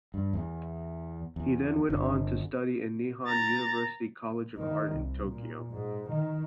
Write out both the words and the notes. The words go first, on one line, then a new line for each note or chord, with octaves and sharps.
He then went on to study in Nihon University College of Art in Tokyo.
G2
E2
E2
G1 D3
A#5 A6
D#3
C2
A#2
G#2
D#3